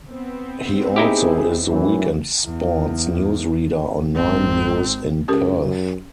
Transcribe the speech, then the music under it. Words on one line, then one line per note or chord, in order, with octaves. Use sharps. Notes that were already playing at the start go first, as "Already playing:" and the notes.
He also is the weekend sports newsreader on Nine News in Perth.
B3 C4
D#4 E4 G4 G#4
F#2 E3
E2
G#1 C4
C#2 C#4 G4 A#4
F#2